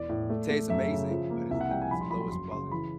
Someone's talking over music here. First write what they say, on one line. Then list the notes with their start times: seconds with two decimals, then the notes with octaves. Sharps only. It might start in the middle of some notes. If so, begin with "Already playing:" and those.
tastes amazing, but it's the it's the lowest quality.
Already playing: E1 E3 D5
0.09 A2
0.30 A3
0.50 A3
0.70 F#2 E5
0.90 C#3
1.10 F3
1.30 A#3
1.51 C2 E5
1.61 F#5
1.71 G3 G5
1.81 G#5
1.91 A#1 B5
2.01 C6
2.11 F#3 B5
2.21 C6
2.31 F#1 C6
2.51 C#3 C6
2.71 E3 B5